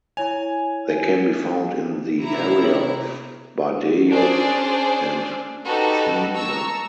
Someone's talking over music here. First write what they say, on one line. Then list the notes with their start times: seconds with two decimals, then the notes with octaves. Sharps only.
They can be found in the area of Bardejov and Snina.
0.17 E4 C#5 G#5 F7
2.21 C3 E4 A#5
2.64 B3 C#5 F#7
4.09 C#4 D4 G#4 C5 D5
5.63 D#4 F#4 G4 A4 B4
6.34 A5 A#5 C#6 E6